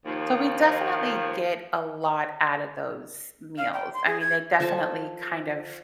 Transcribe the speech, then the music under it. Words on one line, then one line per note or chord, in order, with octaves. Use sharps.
So we definitely get a lot out of those meals. I mean, they definitely kind of
D#2 F3
F5
G5
C6
G#4
G#6
F3 A4 G#5 A5